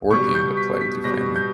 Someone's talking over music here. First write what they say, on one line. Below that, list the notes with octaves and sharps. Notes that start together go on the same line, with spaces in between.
board game to play with your family?
B2 G3 C#6
G6
B6
B6
B2 G3 A#6
G6